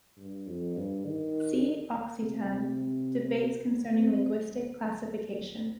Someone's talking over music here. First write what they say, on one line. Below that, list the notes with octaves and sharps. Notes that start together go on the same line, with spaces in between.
See Occitan: Debates concerning linguistic classification.
G2
F2
G2
D#3
C3
B3
C4